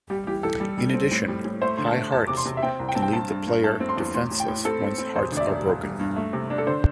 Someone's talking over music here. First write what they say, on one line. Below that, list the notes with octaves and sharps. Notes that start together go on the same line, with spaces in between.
In addition, high hearts can leave the player defenseless once hearts are broken.
G3 G4
E3 G4
E3 A4
G3
G3
C4
A2
G3
A2
A3 C5
D3 C6
A5
A3
E1 A5
C3 D6
C6
C3
E5
C4 G5
C2
G5
C4 A5
G5
G2 A5
G2
G2
A3 A5
C4
C6
E2
A2 C6
A2
G5
A2
C4 A4
C4
C4
E1 C5
D2 D5
E5
E1
G1
G3
G2
A3
C3
D4
A4
D3 C5